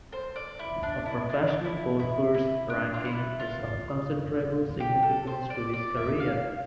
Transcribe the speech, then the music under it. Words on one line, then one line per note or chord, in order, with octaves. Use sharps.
A professional golfer's ranking is of considerable significance to his career.
C5
D5
E4
D4
E4
D4
E4
E4
E4
D4
F4
E4
F4
G4
A4
C5
D5
D5
E5
F5